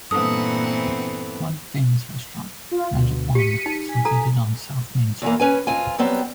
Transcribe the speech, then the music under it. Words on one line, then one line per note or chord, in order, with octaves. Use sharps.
One famous restaurant, Magic Wand, is located on South Main Street.
G2 A#2 E3 B3 C4 A4 F#5 D#6
F4
D2 B2
G4 B6 C#7 D#7
D#4
G#5 B6
A4 A#5
E2 E3 A#3
C#4 B4 G#5
F2 F4 G#5
F#3 G3 B3 C4